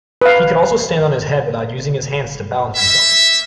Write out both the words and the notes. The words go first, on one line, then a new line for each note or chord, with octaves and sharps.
He could also stand on his head without using his hands to balance himself.
B4 F5
A#3 E5